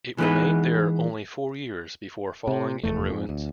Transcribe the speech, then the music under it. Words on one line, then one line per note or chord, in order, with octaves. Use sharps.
It remained there only four years before falling in ruins.
E3 G#3 B3 D#4 B4
C3
F1 E2 A3
F2 G#2
D2